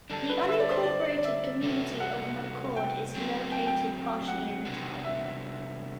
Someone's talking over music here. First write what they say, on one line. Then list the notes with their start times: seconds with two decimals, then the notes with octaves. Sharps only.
The unincorporated community of McCord is located partially in the town.
0.10 D3 G3 D4 A4
0.29 B4
0.48 E5
0.60 D5
0.71 C5
0.83 D5
1.18 D5
1.24 E5
1.62 C3 G3 B3 F#4 A4
2.00 F#5
2.76 G5
3.14 F#3 A3 C4
3.52 G5
3.67 G5
4.28 F#5
4.65 C3 G3 B3 D4 F#4
5.04 E5